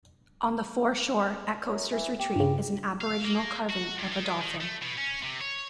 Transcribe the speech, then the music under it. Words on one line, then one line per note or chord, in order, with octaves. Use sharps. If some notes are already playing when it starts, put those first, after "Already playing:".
On the foreshore at Coasters retreat is an Aboriginal carving of a Dolphin.
F#2
E3
G4
G2 C#3
F5
A#3
F#4
G2
D#3
D#3
A3
B2
C#4
C3
C#5